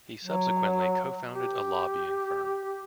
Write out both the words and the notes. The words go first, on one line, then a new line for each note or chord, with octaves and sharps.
He subsequently co-founded a lobbying firm.
F#3
G4